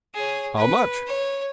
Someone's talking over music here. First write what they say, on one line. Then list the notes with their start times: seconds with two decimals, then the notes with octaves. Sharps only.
How much?
0.14 G#4 C#5
0.57 B4
1.07 C#5